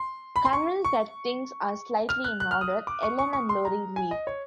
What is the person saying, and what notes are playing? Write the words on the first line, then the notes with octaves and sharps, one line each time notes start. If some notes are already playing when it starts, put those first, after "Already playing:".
Convinced that things are slightly in order, Ellen and Lori leave.
Already playing: C6
B5
C6
C#6
C#6
F6
F#6
F#6
F6
D#6
D6
C#6
C#6
C#6
C6
A#5
G#5
D#5
C#5